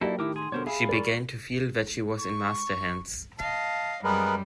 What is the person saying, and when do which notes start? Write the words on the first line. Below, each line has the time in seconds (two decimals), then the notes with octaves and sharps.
She began to feel that she was in master-hands.
0.01 F#3 A#3 D#4 E4 G4 A4 D5
0.19 A2 D#3 E4 A#4 D6 E6
0.36 G#4 C6
0.52 G2 B2 D3 A#4 C5 C#5
0.67 G#4 E5 F5 B5
0.89 A#4 D5 C#6
2.19 C#6
3.39 D#5 F5 A5
4.04 F#2 G3 G#3 B3 A#4 B4